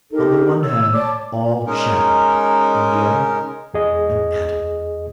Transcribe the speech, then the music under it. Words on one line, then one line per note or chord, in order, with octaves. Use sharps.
On the one hand, all shadow; on the other, an atom.
D#4 G4 A4 A#4
C#5 E6
C#5 D5 A5 D6
G#3 C#4 D#4 A#4
E2 G#4 D#5